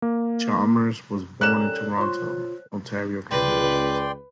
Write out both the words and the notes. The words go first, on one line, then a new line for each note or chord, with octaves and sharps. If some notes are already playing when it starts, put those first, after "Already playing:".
Chalmers was born in Toronto, Ontario, Canada.
A#3
G3 C#4 A4 A#4 F#6 E7
F4 C5 C#5
C#2 B4 D5 G5 C6